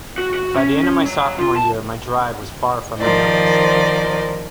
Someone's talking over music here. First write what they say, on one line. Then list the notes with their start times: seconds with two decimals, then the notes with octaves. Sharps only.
By the end of my sophomore year my drive was far from unnoticed.
0.18 F#4
0.34 F#4
0.54 C#4
1.05 F#3
1.38 F4
1.56 A5
2.99 D#3 F3 A#4 C5 D5 D#5